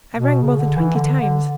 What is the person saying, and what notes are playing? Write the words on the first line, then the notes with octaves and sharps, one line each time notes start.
I rang more than twenty times.
B2
C#3
D3
E3
D3
D3